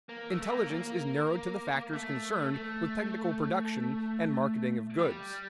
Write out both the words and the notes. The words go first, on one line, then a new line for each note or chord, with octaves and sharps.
Intelligence is narrowed to the factors concerned with technical production and marketing of goods.
A#3
A3
A3
A#3
A#3
A3
A3
G3